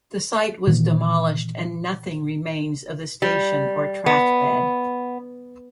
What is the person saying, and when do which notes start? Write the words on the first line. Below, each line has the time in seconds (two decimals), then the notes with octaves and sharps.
The site was demolished and nothing remains of the station or trackbed.
0.67 A#2 D#3 E3
3.22 G3
4.06 B3